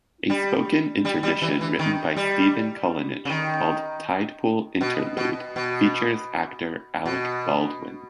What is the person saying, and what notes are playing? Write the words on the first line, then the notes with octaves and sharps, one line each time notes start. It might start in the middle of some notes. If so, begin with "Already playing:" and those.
A spoken intermission written by Stephen Kalinich, called "Tidepool Interlude", features actor Alec Baldwin.
G3
G3
G3
E3
E3
D#3
G3
C#3
D#3
B2
B2
B2
B2